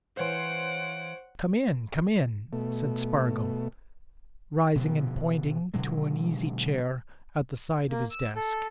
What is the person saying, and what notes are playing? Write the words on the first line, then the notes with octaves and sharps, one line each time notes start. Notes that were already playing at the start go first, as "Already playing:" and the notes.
"Come in, come in!" said Spargo, rising and pointing to an easy-chair at the side of his desk.
E3 C5 C#5 F5 F#5 C6 D7
B2 A3
B2 D3 F3
B2 D3 F#3 G#3
A#3
E6
A4